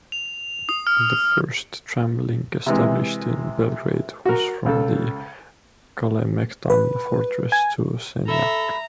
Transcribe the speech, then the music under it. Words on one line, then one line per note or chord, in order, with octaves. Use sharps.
The first tram link established in Belgrade was from the Kalemegdan fortress to Senjak.
F7
D#6
F6
C3 E3 G#3
F#4 A#4
C#2 A4
B4
G#5
A4 E5 A#5 B5